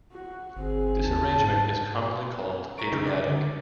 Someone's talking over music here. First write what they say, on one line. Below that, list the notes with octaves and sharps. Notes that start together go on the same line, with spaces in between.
This arrangement is commonly called Adriatic.
F#4
G1 C4 G#4
D#2 A5
G#2
A#5 C#6 D7
F#2 C#3
D5
D3